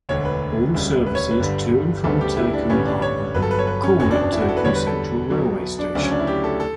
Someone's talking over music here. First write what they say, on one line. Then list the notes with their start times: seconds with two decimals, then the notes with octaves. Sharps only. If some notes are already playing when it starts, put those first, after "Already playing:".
All services to and from Turku Harbour call at Turku Central railway station.
0.09 E1 D2 D3 C#5
0.25 B4
0.74 E1 D2 C#3 G3
1.06 B4
1.15 C#5
1.31 B4
1.39 G1 G2 D3 G3
2.04 D2 C#3 G3 B3 A4
2.21 G4
2.37 E4
2.53 D4
2.70 A1 G2 D3 G3 B3 C#4
2.85 D4
3.02 C#5
3.34 G1 G2 F#3 B3 B4
3.42 A4
3.51 B4
3.59 C#5
3.67 B4
3.83 C#4
4.00 F#1 E2 B2 C#4
4.11 D4
4.22 D4
4.32 E4
4.40 F#4
4.48 A4
4.57 B4
4.65 E2 D3 G3 C#5
4.76 B4
4.87 A4
5.30 B1 B2 F#3
5.79 D4
5.95 D2 C#3 F#3 D4
6.03 C#4
6.11 D4
6.19 E4
6.27 G4
6.44 A4
6.60 A4